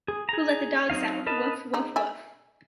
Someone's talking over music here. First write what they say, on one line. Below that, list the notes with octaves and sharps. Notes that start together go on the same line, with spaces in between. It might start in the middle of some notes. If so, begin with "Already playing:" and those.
Who let the dogs out? Woof, woof, woof.
G#4
G#4 A#5
F#3 C4 D#4 F5
A#4 B4 D#5 A5
C#3 D#4
D5 E5 G#5